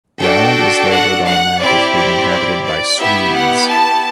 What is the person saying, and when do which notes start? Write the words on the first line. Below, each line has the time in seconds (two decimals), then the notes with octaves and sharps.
The island was labeled on the map as being inhabited by Swedes.
0.21 D4 F#4 A4 G5
0.91 F#5
1.26 F#5
1.60 C4 E4 G4 D5
1.95 D5
2.31 D5
2.65 D5
3.00 B3 E4 G4 E5
3.35 F#5
3.69 A5